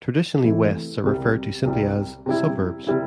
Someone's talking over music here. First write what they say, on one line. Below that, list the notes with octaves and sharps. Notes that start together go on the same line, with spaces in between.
Traditionally Wests are referred to simply as "Suburbs".
C3 E3 A3 E4
C2 C3 G3
C2 C3 G3
C3 G3 E4
C3 G3 E4